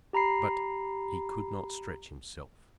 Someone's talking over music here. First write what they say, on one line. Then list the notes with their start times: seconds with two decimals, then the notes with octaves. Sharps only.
But he could not stretch himself.
0.13 G4 A#5 B5 C7